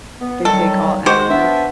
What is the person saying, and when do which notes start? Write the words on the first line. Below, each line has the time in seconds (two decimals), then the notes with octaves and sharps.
they take all animals.
0.21 B3
0.45 D#3 F#3 G3 A4
1.06 G#3 F#4 G4 C5
1.30 B3 D4 E5